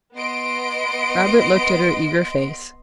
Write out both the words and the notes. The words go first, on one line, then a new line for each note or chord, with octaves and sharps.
Robert looked at her eager face.
B3 D#5 C6 D7